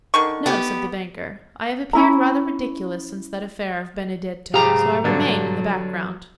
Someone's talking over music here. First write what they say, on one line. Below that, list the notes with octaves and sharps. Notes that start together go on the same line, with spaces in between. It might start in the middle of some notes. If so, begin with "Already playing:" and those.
"No," said the banker; "I have appeared rather ridiculous since that affair of Benedetto, so I remain in the background."
D3 D#3 C#6
B3 G4
C#4 E4 A#5
B1 G#2 G4 G#4 F5 A#5
G2 D3 F#3